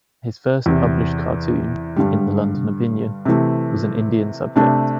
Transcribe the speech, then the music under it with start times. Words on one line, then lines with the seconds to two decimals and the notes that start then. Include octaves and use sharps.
His first published cartoon, in the "London Opinion", was an Indian subject.
0.66 E2 C3 E3
1.96 G2 D3 G3
3.25 C3 E3 A3
4.56 C3 A3 D4